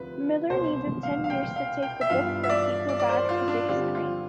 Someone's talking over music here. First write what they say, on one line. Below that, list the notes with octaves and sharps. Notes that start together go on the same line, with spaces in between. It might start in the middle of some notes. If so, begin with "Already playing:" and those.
Miller needed ten years to take the book from paperback to big screen.
Already playing: D2 C3 F3 B4
C2 B2 B3 C5
F5
F5
G5
F5
G5
E5
G2 E3 B3 F4 B4 F5
E5
D5
D5
D5
C5
F4
D4
D3 G3 C4 F4 G4
F4